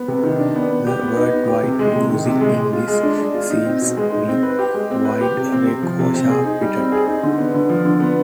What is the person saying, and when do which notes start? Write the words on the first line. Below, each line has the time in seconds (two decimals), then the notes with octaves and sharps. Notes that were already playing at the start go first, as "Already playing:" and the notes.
The word "wide" used in this sense means wide-awake or sharp-witted.
Already playing: B3
0.08 C3
0.23 D#3
0.39 D4
0.55 B3
0.70 B3
0.87 G4
1.01 B3
1.17 D#4
1.33 B3
1.48 G4
1.63 C3
1.79 G#3
1.95 C3
2.10 D#3
2.26 C3
2.41 G#3
2.57 G#3
2.73 F4
2.88 G#3
3.03 D4
3.19 G#3
3.34 F4
3.50 D#4
3.65 C4
3.82 B2
3.97 G#3
4.12 D#4
4.28 C4
4.43 B4
4.59 G4
4.74 G#3
4.90 C4
5.05 B4
5.21 G4
5.37 C3
5.52 C4
5.67 C3
5.83 F3
5.99 C3
6.14 C4
6.30 G#4
6.45 D#4
6.61 G3
6.77 C4
6.92 G#4
7.07 D#4
7.23 D3
7.38 B3
7.54 D3
7.70 F3
7.85 D3
8.00 B3